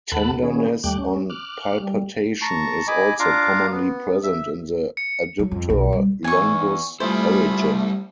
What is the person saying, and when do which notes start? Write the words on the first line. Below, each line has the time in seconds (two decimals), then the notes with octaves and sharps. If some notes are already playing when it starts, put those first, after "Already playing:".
Tenderness on palpation is also commonly present in the adductor longus origin.
0.12 D#2 A4 F#5 A5 B5 F#6
0.43 D#3 B3 C#4 G#4
0.84 D#2 G3 A3 G5 D6 F#6
0.98 C#4
1.30 D6 F6 F#6
1.80 G3
2.41 A5 A#5 C#6
2.88 D#5 G#5 B5 D6
3.19 D4 F4 F5 A#5 D6
3.71 B3
4.23 E5
4.97 C#7
5.39 F#3
5.51 F2
5.70 B1
5.93 G3
6.24 E2 G#5 C#6
7.00 G3 A3 E4 F4 G#4 C5 B5